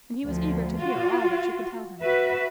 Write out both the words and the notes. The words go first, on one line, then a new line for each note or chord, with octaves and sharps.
And he was eager to hear all that she could tell him.
D2 F3
F4 F#4
F#4 B4 E5